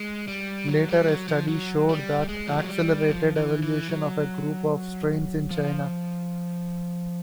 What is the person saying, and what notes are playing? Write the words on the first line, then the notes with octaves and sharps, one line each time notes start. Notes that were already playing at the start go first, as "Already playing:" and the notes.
Later a study showed that accelerated evolution of a group of strains in China.
Already playing: G#3
G3
F#3
G3
F#3
F3
F#3
G3
G#3
F3
F#3
G3
F3
E3
E3
F#3
F3